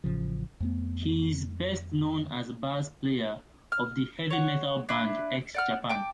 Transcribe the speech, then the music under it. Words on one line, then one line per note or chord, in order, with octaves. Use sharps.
He is best known as bass player of the heavy metal band X Japan.
A1 C#3 F3
F2 A3 B3
F6
C#5 F#5
D4 E4 B4
D5 F#5 F6
G5 A5 D6